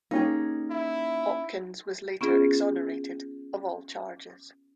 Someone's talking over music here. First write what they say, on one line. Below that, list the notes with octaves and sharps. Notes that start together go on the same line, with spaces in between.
Hopkins was later exonerated of all charges.
A#3 C#4 D#4 G4 G#4
E4
B3 C#4 F4 G#4